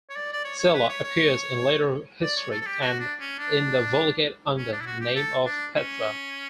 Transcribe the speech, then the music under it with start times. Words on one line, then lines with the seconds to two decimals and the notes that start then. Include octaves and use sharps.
Sela appears in later history and in the Vulgate under the name of Petra.
0.10 C#5
0.16 D5
0.33 D5
0.45 C#5
0.59 C#5
0.74 B4
0.89 C#5
1.04 C#5
2.22 D5
2.36 C#5
2.51 A4
2.61 A4
2.66 G4
2.81 F#4
3.00 D4
3.20 C#4
3.39 D4
4.57 C#4
4.72 D4
4.81 E4
4.87 F#4
5.01 G4
5.16 A4
5.46 D4
5.75 C#4